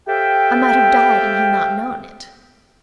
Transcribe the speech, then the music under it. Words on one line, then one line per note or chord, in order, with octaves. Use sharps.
I might have died and he not known it!
G4 A4 C5 E5 F5 G5